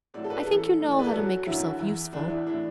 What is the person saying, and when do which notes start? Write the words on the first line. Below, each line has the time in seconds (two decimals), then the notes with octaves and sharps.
I think you know how to make yourself useful.
0.14 A2 F#3 D5
0.24 A4
0.30 B4
0.47 F#2 E3 A4
0.80 A2 E3
0.92 D5
0.99 B4
1.06 A4
1.13 F#2 F#3 F#4
1.46 F#2 D3 F#3 E4
1.79 E2 E3 E4
2.13 E2 E3 D4
2.30 E4
2.46 A2 E3 D4